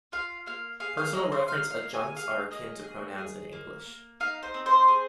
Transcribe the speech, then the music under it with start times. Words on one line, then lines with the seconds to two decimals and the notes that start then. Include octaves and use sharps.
Personal-reference adjuncts are akin to pronouns in English.
0.12 F4 F5
0.46 A#3 F5
0.80 G#4 F5
0.97 F5
1.14 A#3 D#5
1.32 C5
1.48 D#4 F5
1.70 F5
1.83 A#3
1.94 G#5
2.16 G#4 F5
2.51 A#3 D#5
2.84 G#4
3.18 G#4
3.53 A#3
3.86 A#3
4.20 D#4 F5
4.43 C5
4.54 C4
4.66 C5
4.88 G#4